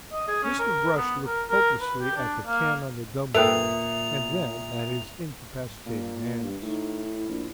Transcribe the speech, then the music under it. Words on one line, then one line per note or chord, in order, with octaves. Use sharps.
Mr. Brush looked helplessly at the can on the dumb-waiter and then at his incapacitated hands.
D#5
G#4
C#4
A#4
B3
A#4
A#4
B4
G4
D4
A#3
A#2 A4 B4 E5 G5 D#6 F7
A#2 A#3
G2
A2 D#4
E4
A#1